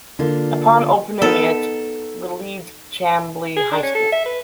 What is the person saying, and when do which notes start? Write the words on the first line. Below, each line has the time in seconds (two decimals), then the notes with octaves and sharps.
Upon opening it relieved Chambly High School.
0.19 D3 A#3 F4
1.22 B3 D#4 A4 A#4
3.56 G#4
3.72 D4
3.83 C#4
3.95 A4
4.12 E5
4.25 B4